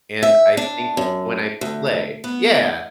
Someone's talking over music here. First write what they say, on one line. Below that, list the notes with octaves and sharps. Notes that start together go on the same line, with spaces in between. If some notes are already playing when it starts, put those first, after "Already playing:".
And I think when I play Yeah.
E5
D4
F#2
D2
B3